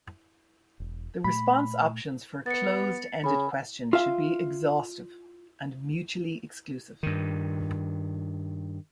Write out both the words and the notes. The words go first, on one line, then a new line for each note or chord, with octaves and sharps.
The response options for a closed-ended question should be exhaustive and mutually exclusive.
E1
A#2 A3 B5
B3 A6 C#7
C#3 G#5 B5
F4 E5 F5
G2 D#3